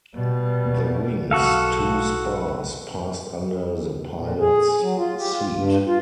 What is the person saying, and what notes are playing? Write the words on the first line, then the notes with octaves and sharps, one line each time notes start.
The wing's two spars passed under the pilot's seat.
B2 G3
B1 F#4 A4 F5
A#2
G#4
F#3
F4
G4
F4
G2
F4